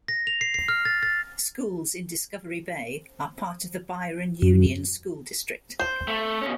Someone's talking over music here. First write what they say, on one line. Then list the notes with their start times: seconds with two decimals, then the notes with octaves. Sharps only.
Schools in Discovery Bay are part of the Byron Union School District.
0.08 A#6
0.27 F7
0.41 C7
0.54 C7
0.68 F6
0.85 A6
1.03 A6
4.42 F#2
5.79 C5
6.08 A3
6.42 B2 C#4